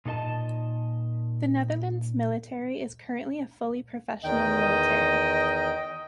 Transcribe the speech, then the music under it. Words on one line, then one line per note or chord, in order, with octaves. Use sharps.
The Netherlands' military is currently a fully professional military.
A#2 D#4 A4 D#5 A5
E2 D#3 D#5 G5